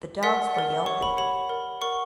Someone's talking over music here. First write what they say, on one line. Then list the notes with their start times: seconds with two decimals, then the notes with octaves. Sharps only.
The dogs were yelping.
0.23 A#4 D5 F#5 B6
0.55 A#4 D5 F#5
0.85 G4 C#5 F#5 C#6
1.02 B5
1.17 G4 C#5 F#5 B5
1.49 A#4 D5 F#5
1.81 A#4 D5 F#5 C#6